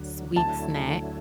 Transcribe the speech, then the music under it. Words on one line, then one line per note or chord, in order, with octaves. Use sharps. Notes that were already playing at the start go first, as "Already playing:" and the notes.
sweet snack.
Already playing: D2 D3 F#3
D2 D3 F#3 A3 E4 A5